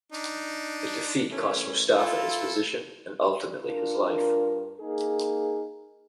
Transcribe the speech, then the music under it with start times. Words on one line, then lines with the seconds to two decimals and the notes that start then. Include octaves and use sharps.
The defeat cost Mustafa his position, and ultimately, his life.
0.12 D4 D#4
1.30 E3 A3 C#4
1.98 E4 F4 A4
3.64 G2 D4 F4 A#4
4.79 A#3 D#4 G#4